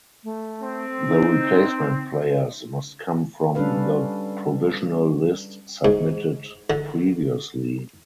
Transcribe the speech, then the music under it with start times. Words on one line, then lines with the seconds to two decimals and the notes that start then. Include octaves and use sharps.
The replacement players must come from the provisional list submitted previously.
0.24 A3
0.61 C4
1.07 D#4
3.55 G3 C#4 D4 A4 B4 F5
5.85 G#2
6.70 D3